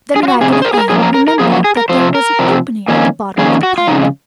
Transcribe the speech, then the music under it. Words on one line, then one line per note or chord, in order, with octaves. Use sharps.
Then Raggedy Ann remembered that there was an opening at the bottom of the pipe.
G#4
F4
F#4
F2 C3 G#4
G#4
C5
A#4
G#4
A#4
F#2 F3 A#3 G#4
A#4
A#4
A#4
F#2 F3 A#3 G#4
F#4
G#4
A#4
C3 F3 C4 C5
A#4
C3 F3 C4
F2 D#3 A#3 C#4
F2 D#3 A#3 C#4 G#4
F#4
F4
F2 C#3 G#3 D#4